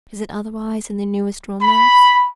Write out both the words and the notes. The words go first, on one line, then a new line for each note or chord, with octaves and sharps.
Is it otherwise in the newest romance?
B5